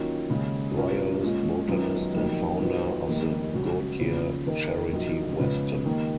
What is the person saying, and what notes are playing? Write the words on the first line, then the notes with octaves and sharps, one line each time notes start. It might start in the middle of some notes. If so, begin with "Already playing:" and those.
Royalist, Botanist, and founder of the Goodyer Charity Weston.
Already playing: D#3 F#3 A#3 C#4 F4
D#2 C#3 G#3
B2 F#3 C#4 F4 A#4
A#2 G#3 C#4 F4
F#2 D#3 G#3 B3 F4
F1 F2 D#3 F#3 A#3
D#3 F#3 B3 F4
F1 D#2 D#3 A#3
C#2 C#3 F#3 C#4 F#4
D#2 C#3 F3
D#2 D#3 A#3 D#4 A#4
A#1 A#2 F#3 A#3 D#4
C#3 F3 G#3 B3
D#2 D#3 A#3